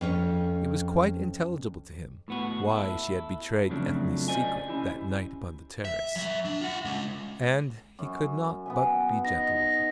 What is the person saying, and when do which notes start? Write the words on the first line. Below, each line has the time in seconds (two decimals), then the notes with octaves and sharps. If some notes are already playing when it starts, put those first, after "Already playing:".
It was quite intelligible to him why she had betrayed Ethne's secret that night upon the terrace, and he could not but be gentle with her.
0.01 F2 C#4 C#5
2.28 A2 B3 F#4
2.72 E4 A4
3.69 F2 C#3 F3 F#3 A3 D4
4.28 C5 D5 D#5 G#5
4.68 C#4 E4 G4
5.85 E5
6.16 F#3 E5
6.45 D4
6.61 F4 F#5
6.85 G#3 C#4
7.99 F#2
8.66 B3 E5 G#5
9.25 D#4 A#6